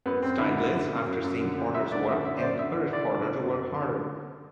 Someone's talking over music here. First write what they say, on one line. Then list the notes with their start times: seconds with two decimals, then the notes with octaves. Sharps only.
Stieglitz, after seeing Porter's work, encouraged Porter to work harder.
0.06 F#2 B3
0.22 F#2 C4
0.39 D3 E4
0.56 D3
0.74 F#2
0.91 F#2
1.07 F#2
1.24 F#2
1.41 D3
1.58 F#2
1.74 F#2 E5
1.92 D3 D5
2.09 F#2 E5
2.25 D3 E5
2.38 C5
2.42 F#2 D5
2.59 D3 E5
2.76 D3
2.93 D3 D5
3.10 D3
3.26 D3
3.43 F#2
3.61 F#2
3.77 D3
3.94 D3